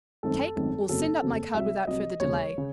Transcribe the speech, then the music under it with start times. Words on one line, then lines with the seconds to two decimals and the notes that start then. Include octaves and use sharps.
Take or send up my card without further delay.
0.23 G#1 F#2 D#3 A3 C4 A4
0.56 G#1 F#2 D#3 A3 C4
0.89 F#1 E2 C#3 F#3 C4 A4
1.22 F#1 E2 C#3 F#3 C4
1.54 C2 C3 F#3 E5
1.87 C2 C3 F#3 D#5
2.20 E1 D#2 C#3 C#5
2.58 C#3